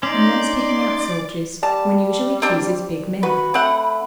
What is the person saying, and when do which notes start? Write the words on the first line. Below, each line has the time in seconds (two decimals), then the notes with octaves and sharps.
When one is picking out soldiers, one usually chooses big men.
0.03 C#4 D#4 D5 C6
1.63 G3 A5
2.42 C4 D4
3.23 F#4 B4 B5
3.54 A3 C4 F#5